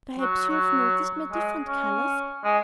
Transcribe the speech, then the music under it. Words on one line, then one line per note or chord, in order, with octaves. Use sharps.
Perhaps you've noticed my different colors.
F#3
F#3
G#3
C#4
G#3